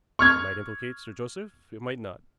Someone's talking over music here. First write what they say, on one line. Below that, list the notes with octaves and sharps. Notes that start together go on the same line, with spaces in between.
It might implicate Sir Joseph, it might not.
C#6 F6 G#6